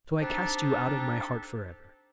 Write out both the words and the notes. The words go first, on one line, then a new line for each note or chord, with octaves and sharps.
So I cast you out of my heart for ever.
C4 D4 D#4 G4 A4